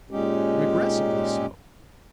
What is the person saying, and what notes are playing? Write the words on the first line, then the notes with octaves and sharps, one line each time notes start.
Repressively so.
A#2 G#3 C#4 D#4 G4